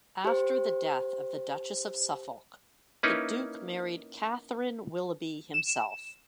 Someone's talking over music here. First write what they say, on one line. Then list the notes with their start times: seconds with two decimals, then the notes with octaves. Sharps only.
After the death of the Duchess of Suffolk, the Duke married Catherine Willoughby himself.
0.25 G4 C5
3.03 A#3 C#4 D#4 E4 B4
5.54 E7